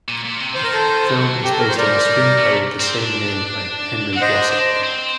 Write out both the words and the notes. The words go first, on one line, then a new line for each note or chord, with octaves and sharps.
The film is based on the screenplay with the same name by Henry Blossom.
A#2
A#2
C3
D#3 C5
A#4
A4 C5
G3
F#3
G4
A4
A#4
C5
G3 A#4 D5
A3
C4
D4
C4 F#5
D4 C5 D#5
D4
C4